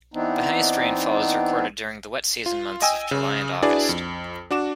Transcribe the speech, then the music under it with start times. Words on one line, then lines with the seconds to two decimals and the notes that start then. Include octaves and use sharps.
The highest rainfall is recorded during the wet season months of July and August.
0.14 E3 B3 C4 D4 D#4
2.46 F4
2.82 D#5 G5 G#5 D#6 E6
3.11 C#3
3.62 D4 E4 F#4 G#4 B4 D5
3.89 F2
4.51 D4 F#4 D6 E7